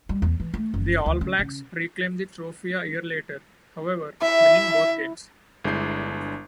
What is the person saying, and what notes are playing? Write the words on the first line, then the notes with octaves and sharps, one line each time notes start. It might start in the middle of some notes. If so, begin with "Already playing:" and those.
The All Blacks reclaimed the trophy a year later, however, winning both games.
G3
E2
E3
A3
F#1
D2
C#3
C#3
E4 E5
G1 G#3 D4 E4 G6 C7